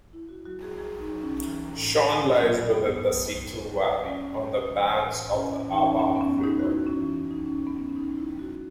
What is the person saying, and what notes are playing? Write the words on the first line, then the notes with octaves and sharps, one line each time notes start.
Seon lies within the Seetal valley, on the banks of the Aabach river.
E2 E4
F#4
F#3 F#4
G#4
E2 G#4
D#4
F#3
C#4
E3
A2
E2
F#3
F#2 B3
F#3
E2
F#3
E2 C#4
F#3
E3
A2
E2 C#4
E3 D#4
C#4
F#2 C#4
B3
C#4
F#3
D#4
F#4
E2 E4
C#4
E3
E2 D#4
C#4
F#3 B3
C#4
C#4
E2 D#4
E4
F#3
F#4